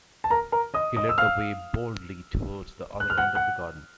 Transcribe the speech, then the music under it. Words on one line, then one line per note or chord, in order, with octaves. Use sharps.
He led the way boldly towards the other end of the garden.
A5
A#4 A#5
A#4 A#5
D#5 D#6
D#5 D#6
E6
F5 F6
F#6
F6
F#5 F#6
F#5 F#6